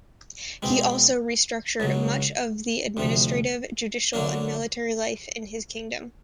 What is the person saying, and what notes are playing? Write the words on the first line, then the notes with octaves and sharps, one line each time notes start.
He also restructured much of the administrative, judicial and military life in his kingdom.
B2 G#3 C4
C#2 C#3 F#3
D2 C3 F3
D3 F#3 A#3 D4